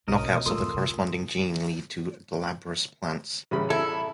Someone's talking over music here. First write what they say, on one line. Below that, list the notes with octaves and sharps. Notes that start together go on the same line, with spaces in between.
Knockouts of the corresponding gene lead to glabrous plants.
B1 B2 C#4 A#4 D#5
A1 A#2
B2 A3 F4 A4 A#4 C6 D#6 E6
F2 G#2
C3
A1 C#3 G3 C#4 B5
E4 A4 A5 G#6